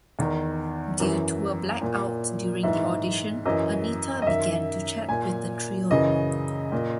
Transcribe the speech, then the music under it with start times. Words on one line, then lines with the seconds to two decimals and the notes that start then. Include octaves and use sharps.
Due to a black-out during the audition, Anita began to chat with the trio.
0.19 E2 D#3
1.00 F#2 E3
1.82 A#2
2.63 G#2 E3 E5
3.45 F#2 E3 D#5
4.22 D#5
4.27 F#2 D#3 E5
5.09 A#2 G#5
5.90 F#2 C#3 E3 D#5
6.72 A#2